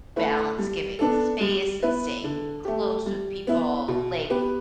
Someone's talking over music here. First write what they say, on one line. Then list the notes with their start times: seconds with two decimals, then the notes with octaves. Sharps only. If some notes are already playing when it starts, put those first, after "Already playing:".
balance giving space and staying close with people? Like
0.16 A3 E4 B4
0.58 G3
0.99 B3 D4 A4
1.41 G3
1.82 B3 E4 B4
2.24 D3
2.65 A3 G4
3.06 G3
3.47 B3 E4
3.88 B2
4.30 B3 G4 B4